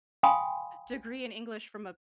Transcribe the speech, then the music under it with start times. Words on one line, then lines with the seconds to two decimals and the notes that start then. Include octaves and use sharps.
degree in English from a p
0.23 F5 G5 G#5 B5 C6 D#6